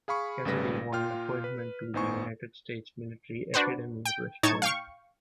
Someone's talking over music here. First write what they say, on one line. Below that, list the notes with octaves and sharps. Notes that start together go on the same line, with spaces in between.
Cassidy won an appointment to the United States Military Academy at West Point.
G#4 F5 B5 C#6
G#1 C#3 G3 A3 B4 A#6
A#2 F4 G5 F6
B4
G#1 B3 D#4 C5 G#5 C#6
D4 F#4 B4 C5
G5
A2 D#4 C#5 A5 C#6 G#6
F5 G5 C#6